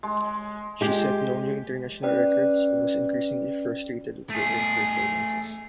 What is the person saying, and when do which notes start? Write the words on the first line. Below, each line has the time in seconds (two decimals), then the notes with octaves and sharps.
She set no new international records, and was increasingly frustrated with her own performances.
0.03 G#3
0.81 G#3 G4
2.03 C#4 B4 D5 G5
4.30 A3 G#4